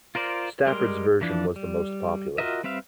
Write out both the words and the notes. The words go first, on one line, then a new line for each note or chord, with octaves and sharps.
Stafford's version was the most popular.
F4 A#4 C5 D5
G3 G#3 G4 A#4 C6
E3 F3 D4
G3
F4 F#4 A#4 D#5 E5
G3 C4 B4 E5 F5